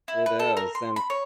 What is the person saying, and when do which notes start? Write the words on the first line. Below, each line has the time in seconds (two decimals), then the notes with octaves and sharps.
It is, and
0.08 E4
0.26 B4
0.40 A4
0.57 A#4
0.75 C6
0.96 B5
1.10 C#5